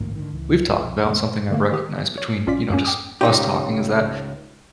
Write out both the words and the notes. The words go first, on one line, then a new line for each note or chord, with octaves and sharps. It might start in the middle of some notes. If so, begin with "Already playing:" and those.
we've talked about, something I've recognized between, you know, just us talking is that,
A1 D2 G#2 A#3
G#2 D3 D#3
C#2 E3
B1 F2 C3
E2 B2 G#3 A#3
D3 A3 A#3
D#3 G4 D#6
C#5
A#1 C#4 F4 D5 B6
F#2 A#3 C#4
F#5 G5 D6 D#6
C#2 D#4 G4